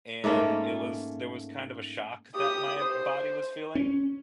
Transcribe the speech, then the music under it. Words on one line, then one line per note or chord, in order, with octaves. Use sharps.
and it was, there was kind of a shock that my body was feeling.
G#2 A3 A#3 C#4
G4 D#6
C5
C#4